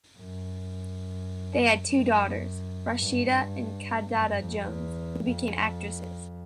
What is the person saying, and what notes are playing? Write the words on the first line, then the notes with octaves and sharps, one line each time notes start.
They had two daughters, Rashida and Kidada Jones, who became actresses.
F#2
F#2
G2
F#2
F2
E2
F2